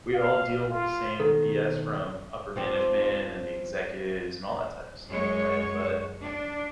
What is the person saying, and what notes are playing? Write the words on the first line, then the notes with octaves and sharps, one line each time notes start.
we all deal with the same BS from upper management, and the executives, and all that type of stuff, right? But,
F5
F4
B2 D#3 A4
F3 C4 G4
F#2 G#3 C#5
D4